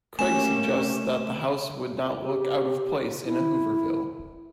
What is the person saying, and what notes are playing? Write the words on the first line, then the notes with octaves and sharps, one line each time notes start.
Craig suggests that the House would not look out of place in a Hooverville.
A3 A#3 C#4 G4 G#5 E7
G4
E4